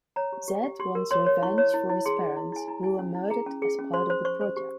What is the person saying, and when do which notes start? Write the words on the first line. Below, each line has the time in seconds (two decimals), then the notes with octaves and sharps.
Zed wants revenge for his parents, who were murdered as part of the project.
0.16 C#5 A#5
0.32 G4
0.48 G4
0.64 G4
0.80 G4 C6
0.95 A#4
1.11 C#5 C6
1.26 C#5
1.42 E4 C#6
1.58 C#5
1.74 E4
1.89 E4
2.06 G#4 C6
2.21 G#4
2.37 E4
2.52 E4 G#5
2.68 E4 A#5
2.83 E4 G#5
2.99 C#4
3.15 E4
3.30 G#4 A#5
3.46 C#4
3.62 G#4
3.79 C#4
3.94 C5 C6
4.10 C5
4.25 C5 C#6
4.41 C5
4.57 G4